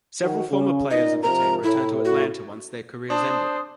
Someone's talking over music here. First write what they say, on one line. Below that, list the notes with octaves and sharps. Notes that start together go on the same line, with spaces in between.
Several former players of the team returned to Atlanta once their careers ended.
D#3 F#4
C#3
A#2 D#4 D#5
C3 F3 A#4 A#5
A2 E4
F#4
D4 C5 A5 D#6